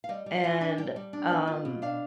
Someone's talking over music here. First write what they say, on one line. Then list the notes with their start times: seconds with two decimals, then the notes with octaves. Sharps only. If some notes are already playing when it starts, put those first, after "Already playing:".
and, um
0.04 F5
0.09 G3 D#5
0.26 G3
0.43 F4 G5
0.61 D4 G#5
0.78 G3 G5
0.96 G3
1.13 D4
1.31 B3
1.47 F4
1.65 B2
1.82 D4 F5